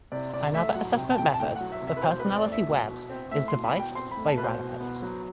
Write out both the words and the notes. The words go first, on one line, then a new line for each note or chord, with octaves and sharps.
Another assessment method, the "Personality Web", is deviced by Raggatt.
C3 D5
C3 D5
A3 E5
F#3 F#5
C3 G5
A5
C3 G5
A5
A3 G5
F#3 F#5
E5
C3
E5
B4
B2 C5
B4
C4
D5
A3
E5
B2
B2
C4
A3 E5
B2 C6
B5
B2
G5
C4 C6
B5
A3
A5
B2 B4
C5
B2
B3
F#3